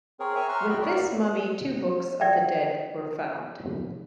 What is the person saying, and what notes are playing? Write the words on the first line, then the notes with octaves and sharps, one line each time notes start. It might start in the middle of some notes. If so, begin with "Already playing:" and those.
With this mummy two Books of the Dead were found.
C4 G#4 A#4 C#5
E5 G#5 A#5 C#6
E5 F#5 A#5 C6 C#6 F6
F#4 D#5 G5 B5
A#4 C#5 D5
D5 E5 F#5 G5